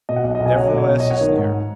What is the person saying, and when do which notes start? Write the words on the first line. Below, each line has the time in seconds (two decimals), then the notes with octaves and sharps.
Nevertheless, he sneered.
0.09 B2 D#5
0.16 F#5
0.24 B1 D#5
0.35 D#5
0.40 B1
0.46 D#5 G#5
0.56 F#3 C#5 F#5
0.67 D#5
0.74 B2 C#5
0.89 B1 C#5
1.00 D#5
1.05 B1
1.10 C#5 F#5
1.21 D#3
1.37 G#2